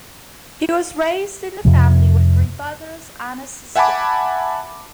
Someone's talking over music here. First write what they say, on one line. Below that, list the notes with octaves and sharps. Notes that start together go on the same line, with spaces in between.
He was raised in a family with three brothers and a sister.
F2 C3 F3
E5 F#5 G#5 A5 B5 D6